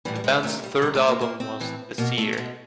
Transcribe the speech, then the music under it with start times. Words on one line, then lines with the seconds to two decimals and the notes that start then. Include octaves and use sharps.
The band's third album was "The Seer".
0.05 A2 E3 G3
0.16 G3
0.24 G#3
0.43 C3 D#3 A3
0.58 G#3
0.63 G3
0.82 C3 D#3 G3
0.95 A3
1.08 A#3
1.20 A#2 A#3
1.40 C4
1.60 A2 E3
1.98 B2 A#3
2.18 A3
2.33 A3
2.37 B2 G#3